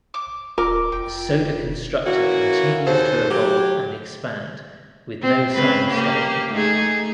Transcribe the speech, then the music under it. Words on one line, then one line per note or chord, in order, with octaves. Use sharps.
Sodaconstructor continues to evolve and expand, with no sign of stopping.
D6
D#1 F4 A#4 D6
F1 G5
E3 A#3 C#4 F#4
D#2 C#3 A4 C5
F#3 G4
C4
C#3 C4 B4
A#3 G4
A3 D#4 G#4